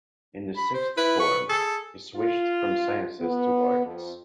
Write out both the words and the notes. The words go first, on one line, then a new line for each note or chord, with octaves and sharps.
In the sixth form, he switched from sciences to arts.
B5
C5
E4 B4
C#6
G#4 A4
F4
B3
F2